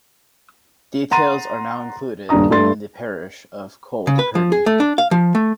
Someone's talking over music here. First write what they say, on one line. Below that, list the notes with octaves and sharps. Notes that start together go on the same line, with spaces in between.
Details are now included in the parish of Cold Kirby.
F#5 A#5 C6 A6 D#7
D#1 G2 D4 A#5 D#6
G2 G3 A3 C6 A6
C#3
B4
F3
G#4
A3
D4
F5
F3
A3